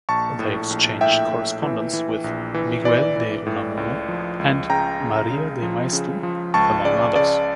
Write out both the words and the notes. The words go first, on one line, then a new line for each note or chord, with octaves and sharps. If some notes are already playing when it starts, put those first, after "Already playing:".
They exchanged correspondence with Miguel de Unamuno and María de Maeztu, among others.
A#1 A5 C#6
A2
A#1
A2 E5 G5
A2
E3
E3
A#1
E3
E3 D5
E3
A2
C#2
F3
C#2
C#3 G5 A#5
C#3
C#3
F3
C#3
F3
C#2 A5 C#6
C#3 D5
C#3 D5